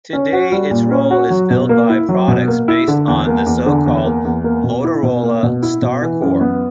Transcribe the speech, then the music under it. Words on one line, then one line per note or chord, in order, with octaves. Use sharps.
Today its role is filled by products based on the so-called Motorola StarCore.
C#4
F#4
G3
A#2
C#4
F#4
F#3
B2
A#3
E4
F#3
B2
A#3
E4
D3
E2
A#3
E2
D3
E2
A#3
E2
A#3
B2
E4
B2
A#3
B2
E4
B2
E3
F#2
B3